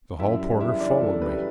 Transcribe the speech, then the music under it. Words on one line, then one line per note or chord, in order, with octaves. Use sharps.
The hall porter followed me.
F#2 E4 E5
G3
F#1 E4 E5
E3 D4 D5
F#2 A4
G3 B4